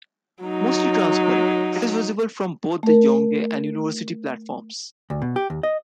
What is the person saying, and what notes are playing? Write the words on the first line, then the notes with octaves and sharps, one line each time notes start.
Mostly transparent, it is visible from both the Yonge and University platforms.
F#3 D#4
A3 A#4
D2
B2
G4
D#2
D#5